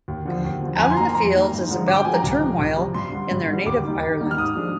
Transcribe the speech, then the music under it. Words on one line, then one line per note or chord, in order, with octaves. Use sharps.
"Out in the Fields" is about the turmoil in their native Ireland.
D#2
D3 F3
D#2
D3 F3
A#5
F2 G#5
C6
D#3 A#3 D#4 A#5
F2 A#5
D#3 A#3 D#4
G2
D3 F3 G#3
G2 D6
G5
D3 F3 G#3 G#5
A#5
C2
C3 F3
C2
C3 F3
G2 C6
D3 G3
G2
D3 G3
D#2 D6
D#3 G3 A#3 D#4
D#2
D#3 G3 A#3 D#4
F6
G#2 D#6
F3 G#3 D4